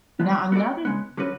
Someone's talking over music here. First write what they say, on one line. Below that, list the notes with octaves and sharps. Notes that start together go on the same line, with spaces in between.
Now another
F3 G#3 B3
B3 F#4 A4 D5
C#3 G#3 B3
D3 F#3 C#4 F#4 B4